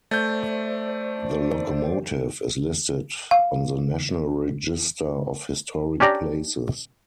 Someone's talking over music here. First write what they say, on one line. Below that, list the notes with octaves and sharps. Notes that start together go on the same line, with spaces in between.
The locomotive is listed on the National Register of Historic Places.
A3 C5 D5 G6
F5
C#4 D4 G4 D5 A#5